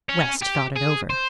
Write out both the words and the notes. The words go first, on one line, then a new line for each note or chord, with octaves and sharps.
West thought it over.
C#4
G4
G#4
C5